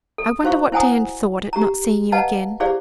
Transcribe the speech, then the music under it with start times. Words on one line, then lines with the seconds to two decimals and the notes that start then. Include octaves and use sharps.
I wonder what Dan thought at not seeing you again?
0.18 A4
0.43 E4 F#4 C5 F5 C#6
0.72 E4 C5 F#5 G#5 A#5 D#6
1.53 G4 A#5
2.12 B4 D#5 F5 F#5 A5 A#5
2.60 E4 G4 G#4 C5 D5 F5